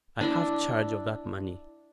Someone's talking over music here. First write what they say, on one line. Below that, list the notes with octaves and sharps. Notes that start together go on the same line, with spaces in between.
I have charge of that money.
D4 E4